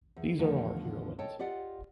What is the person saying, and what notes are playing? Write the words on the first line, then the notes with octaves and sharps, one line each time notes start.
These are our heroines.
E2
E2 D3 D#3 F3 A3 B3
A4 C#5 D#5 G5 A5
F4 G4 D5 D#5 F#5